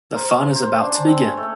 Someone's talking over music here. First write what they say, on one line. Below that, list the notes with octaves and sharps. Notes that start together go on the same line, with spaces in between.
The fun is about to begin.
A#4 C5 A#5
C5
C#4 D4 C5
C4 C#4
A3 C#5